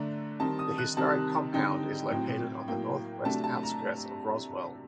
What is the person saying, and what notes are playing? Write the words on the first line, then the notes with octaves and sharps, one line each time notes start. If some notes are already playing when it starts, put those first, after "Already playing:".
The historic compound is located on the northwest outskirts of Roswell.
Already playing: D3 A3 D4 A#5
D#3 G3 C4 D#4 A5
D#6
F#6
C3 D#3 G3 C4 D#4 A5
D3 G3 C4 D#4 G5
A2 F#3 C4 G5
A2 F#3 A#3 G5
C3 F#3 A3 D4 A5
A5
A#5